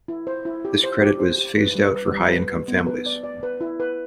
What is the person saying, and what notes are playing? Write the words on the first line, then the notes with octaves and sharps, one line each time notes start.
This credit was phased out for high-income families.
E4
C5
E4
G4
C5
G4
C5
G4
B4
G3
B4
G3
B4
B4
B3
B4
D5
D5
B4
E4
B4